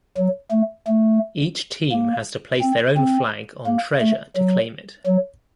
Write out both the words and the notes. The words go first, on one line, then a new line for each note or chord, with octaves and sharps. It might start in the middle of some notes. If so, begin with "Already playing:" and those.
Each team has to place their own flag on treasure to claim it.
F#3
A3
A3
A#3
C4
C4
A#3
A3
F#3
F#3